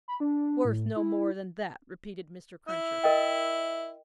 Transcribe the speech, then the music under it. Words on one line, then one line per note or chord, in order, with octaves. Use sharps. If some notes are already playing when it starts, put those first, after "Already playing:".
"Worth no more than that," repeated Mr. Cruncher.
B5
D4
A2
E4
E4
A#4 D#5 G5